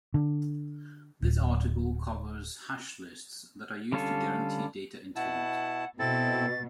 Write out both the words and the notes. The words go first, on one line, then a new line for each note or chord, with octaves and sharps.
This article covers hash lists that are used to guarantee data integrity.
D3
D1
D3 G3 C#4 F4 A4
B2 E4 F#5 A5
B2 C4 E4 A4 A6